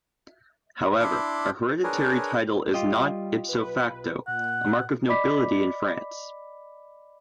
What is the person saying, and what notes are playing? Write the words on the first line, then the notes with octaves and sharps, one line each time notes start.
However, a hereditary title is not, "ipso facto", a mark of nobility in France.
D4 E4 B5 C6 D6
D4 G#4 A#4 B4 C#5
G3 F4 G4 D#5
B1 B4
A#2 F#5
D5 D#5 B5 D6 B6